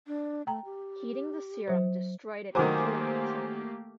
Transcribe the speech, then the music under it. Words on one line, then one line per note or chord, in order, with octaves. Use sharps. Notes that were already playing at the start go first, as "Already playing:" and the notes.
Heating the serum destroyed its killing activity.
D4
A3 G5 A#5
G4
F#3 C5
D#3 F#3 A3 A#3 G4 C5 G#5 D6